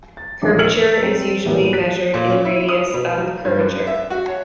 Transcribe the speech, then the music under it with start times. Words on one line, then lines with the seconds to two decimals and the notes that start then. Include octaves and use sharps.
Curvature is usually measured in radius of curvature.
0.17 A6
0.42 A1 F2 A#2 E4 D6
0.59 E6 F6 C#7 D7 F#7
1.00 F#3 G#3 C4
1.45 A2 E3 F#3 G#3 A#3 B3
1.73 F#6 B6 D7 D#7
2.14 A#2
2.29 C#4
2.45 E4
2.69 D#6
2.94 B2
3.18 F#3
3.45 G2
3.58 F#2
3.87 E5
4.10 F#4
4.28 C#5